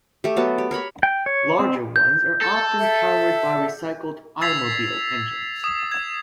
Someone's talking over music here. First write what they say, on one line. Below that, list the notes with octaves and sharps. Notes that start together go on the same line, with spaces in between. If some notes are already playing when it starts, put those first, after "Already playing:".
Larger ones are often powered by recycled automobile engines.
A3 G4
F#3 B3 F#4 A5
G4
A#4 C#5 B5 C#6
G5
C#5
C4
G6
A4
E5
E6 G#6 A6 B6 C7 F7
D#6
G#6